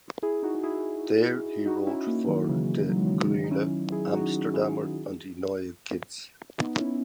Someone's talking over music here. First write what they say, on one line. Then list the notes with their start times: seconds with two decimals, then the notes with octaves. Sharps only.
There he wrote for De Groene Amsterdammer and De Nieuwe Gids.
0.22 E4 G#4
0.43 D#4 F#4
0.63 E4 G#4
1.66 D#4 F#4
1.87 C#4 E4
2.07 A#3 C#4
2.28 D#3 F#3
2.48 C#3 E3
2.90 F#3
2.98 G#3
3.06 D#3 F#3
3.31 D#3 F#3
3.44 D#4
3.51 C#4 E4
3.92 E4 G#4
4.12 D#4 F#4
4.54 E4 G#4
6.59 B3 D#4
6.79 C#4 E4